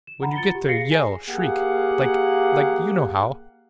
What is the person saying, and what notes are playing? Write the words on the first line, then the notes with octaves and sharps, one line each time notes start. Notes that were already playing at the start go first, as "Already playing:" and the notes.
When you get there, yell, shriek--like-- like--you know how!
E7
F#5 A#5 B5
F4 A6 C#7 G7
G4
G#4 F5 A#6 C7 C#7
G#5
A#3 G4 G#4 A#4 F5 F#5